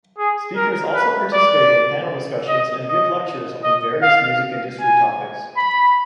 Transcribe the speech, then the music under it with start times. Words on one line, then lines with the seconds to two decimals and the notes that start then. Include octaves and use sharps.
Speakers also participate in panel discussions and give lectures on various music industry topics.
0.18 G#4
0.56 A#4
0.95 B4
1.34 D5
2.48 D#5
2.87 D#5
3.64 D#5
4.02 F5
4.79 G#5
5.57 B5